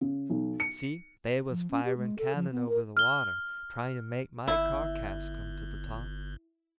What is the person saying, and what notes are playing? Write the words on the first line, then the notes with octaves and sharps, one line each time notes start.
You see, they was firing cannon over the water, trying to make my carcass come to the top.
C#3
B1
C#7
F3
C#4
G4
G#3
A4
F3
B3
A#4
F6 G7
G1 E4